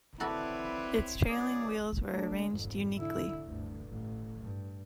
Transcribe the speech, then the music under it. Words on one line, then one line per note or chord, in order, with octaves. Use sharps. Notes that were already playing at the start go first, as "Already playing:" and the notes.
Its trailing wheels were arranged uniquely.
C4 E4 F#4 A4 B4 C#5 D5 B5
C#2 G#4 D5
A3 D4
G#1 F2
D3 E4
D2 G2
A1
G2